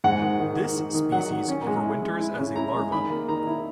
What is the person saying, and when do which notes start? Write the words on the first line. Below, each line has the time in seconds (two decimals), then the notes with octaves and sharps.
This species overwinters as a larva.
0.04 G#2 F#5
0.22 D#3
0.40 D#3
0.58 D#3
0.76 D#3
0.94 D#3
1.12 F#3 F#5
1.31 D#3
1.48 C#4
1.67 G#3
1.84 E4
2.02 G#3
2.20 E4
2.39 C#3
2.56 E4 A#5
2.75 G#3
2.92 D#3 B5
3.10 A#3
3.29 D#3 A#5
3.47 E4